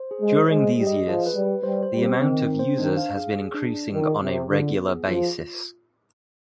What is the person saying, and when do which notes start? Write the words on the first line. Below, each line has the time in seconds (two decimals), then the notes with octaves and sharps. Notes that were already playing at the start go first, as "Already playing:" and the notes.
During these years, the amount of users has been increasing on a regular basis.
Already playing: C5
0.11 G#4
0.21 G#3
0.30 C5
0.49 G#3 D#5
0.68 G#4
0.78 G3
0.87 D#5
1.07 F3 G#4
1.26 B4
1.34 G3
1.45 B4
1.63 G3 C5
1.83 C5
1.93 G3
2.02 C4
2.21 D#3 C4
2.41 C4
2.59 C5
2.78 D#3 D4
2.97 F5
3.17 G#4
3.35 G#4
3.54 D4
3.74 D5
3.92 D#3 F4
4.11 G#4
4.22 C3
4.31 G#4
4.50 D3 F4
4.69 B3
4.88 G#4
5.08 F3 F4
5.26 F4